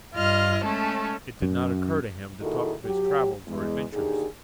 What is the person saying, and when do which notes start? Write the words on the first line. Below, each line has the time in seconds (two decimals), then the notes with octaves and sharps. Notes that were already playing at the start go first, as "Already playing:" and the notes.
It did not occur to him to talk of his travels or adventures.
0.13 G2 F4 D#5 F6
0.64 G#3 A3 C#4 A4
1.42 F#2
2.40 A#2 D#3 E4 F#4 G#4 A4
2.84 F#3 G4
3.47 E2 G#3
3.92 D#2 D3 D#4 G4 G#4